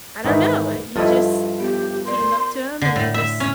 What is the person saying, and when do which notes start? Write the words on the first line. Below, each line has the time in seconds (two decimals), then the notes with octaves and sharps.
I don't know, uh, he just g came up to him and he just
0.25 G#2 D#3 E3 B4 F#5
0.96 G2 F3 E4 F4 A4 D#5
1.60 B3 G4
2.05 A#4 D5 C6
2.81 D3
2.96 A2
3.14 E5
3.40 C#4